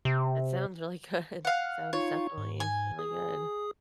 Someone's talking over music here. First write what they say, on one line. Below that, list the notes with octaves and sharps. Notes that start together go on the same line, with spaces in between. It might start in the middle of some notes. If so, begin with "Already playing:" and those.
it sounds really good. Sounds definitely really good.
C3
F5 F#5
D#4 F4 C#5 F5
G#2
G#5
G#4 D#6